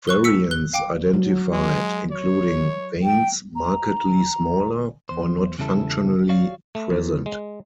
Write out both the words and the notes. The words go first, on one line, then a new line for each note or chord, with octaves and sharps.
Variants identified including veins markedly smaller, or not functionally present.
C#6 F#6 G7
E6 B6 C#7
F#6 G7
F5 G5 D6 D7
F#3
G#3
C#5
G5
A#5
E2 C5
E2 C#3 G3 C#4 E4 A4
F#4 C#5 D5 F5
A3
E2
G#3